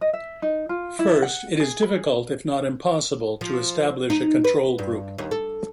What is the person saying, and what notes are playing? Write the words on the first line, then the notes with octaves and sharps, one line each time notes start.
First, it is difficult if not impossible to establish a control group.
D#5
E5
D#4
F4
E4
F#5
G#4
B5
G#4
F3
D#4
B4
G2
D#2
A4